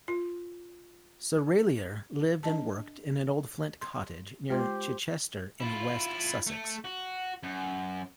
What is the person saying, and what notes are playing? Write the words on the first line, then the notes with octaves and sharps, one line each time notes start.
Serraillier lived and worked in an old flint cottage near Chichester, in West Sussex.
F4
D4 D#5 A5
C6
G#3 F4 G4 C5
E4 F4
A3
F#4
F#2